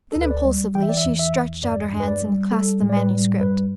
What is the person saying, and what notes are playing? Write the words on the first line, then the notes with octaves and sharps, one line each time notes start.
Then impulsively she stretched out her hands and clasped the manuscript.
D2 A4
B4
D5
G3
E3 G5
E5
D5
E5
E2
E5
E2
G2 D5
G2
B4
D5
G3
G3 A4
A2
D5
B4
G3
G2 B4